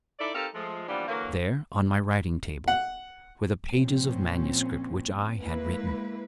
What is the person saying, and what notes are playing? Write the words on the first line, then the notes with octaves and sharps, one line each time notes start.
There, on my writing-table, were the pages of manuscript which I had written.
D#4 E4 A4 D5
C4 D#4 G4 A4 A#4 F5
F3 G#3 A3
E3 F3 G3 A#3 B3 D4
D3 E3 F#3 A#3
F#5
A#2 F3 C4 C#4
G#3 A#3 E4 B4